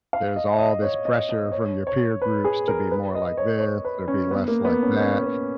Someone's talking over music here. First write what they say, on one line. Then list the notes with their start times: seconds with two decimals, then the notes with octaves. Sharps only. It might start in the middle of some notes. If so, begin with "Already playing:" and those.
there's all this pressure from your peer groups to be more like this or be less like that,
0.13 F5
0.36 D#5
0.59 D#5
0.82 C#5
1.05 D#5
1.29 D#5
1.52 C#5
1.87 C#5
2.22 B4
2.44 G#4
2.68 A#4
2.91 B4
3.15 D#5
3.37 C#5
3.60 C#5
3.85 B4
4.08 C#4
4.31 B3
4.48 A#3
4.65 B3
4.83 C#4
5.00 C#4
5.23 B3